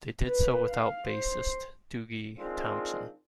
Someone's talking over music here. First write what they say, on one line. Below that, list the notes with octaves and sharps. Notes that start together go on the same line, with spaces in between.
They did so without bassist Dougie Thomson.
B4
F5
C5
D#3 G#3 C4 D4 F4